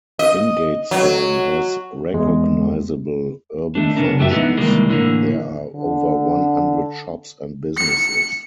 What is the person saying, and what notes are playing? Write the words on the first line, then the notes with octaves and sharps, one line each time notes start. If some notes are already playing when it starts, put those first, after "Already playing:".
Ingatestone has recognisable urban functions; there are over one hundred shops and businesses.
D#5
F#3
E2 G#3
D#3 A3 D4
C#3 B3 C#4 D4 A#4
F#2 F#3 A3 G4 G#4 E5
D3 E3 F#3 A3 B3 D#4
C2 D#3 E3 G3 G#3 A#3
A2 D3 E3 A#3
D3
C#7